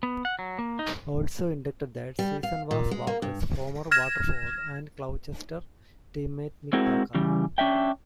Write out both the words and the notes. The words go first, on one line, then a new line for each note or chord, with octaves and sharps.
Also inducted that season was Walker's former Watford and Colchester teammate Mick Packer.
B3
F#5
F#3
A#3
D#4
G3
F5
A#2
G#3
A#3
G2
F6 G#6 A#6 E7
G#3 C4 E4 F#4 G#4 A#4
C#3 E3 G3
C#4 D4 E5 G5